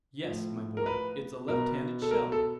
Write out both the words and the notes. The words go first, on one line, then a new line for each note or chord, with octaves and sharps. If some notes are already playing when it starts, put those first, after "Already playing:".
"Yes, my boy, it's a left-handed shell!"
A2 F3
A#4
B4
B2 A#4
A4
A#4
A4